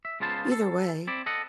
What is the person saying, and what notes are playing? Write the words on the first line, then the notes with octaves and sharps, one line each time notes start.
either way,
E5
C#2 C#3 B3 F4 C5 A5
A4
C4 E4 D5
A4 D#5 F#5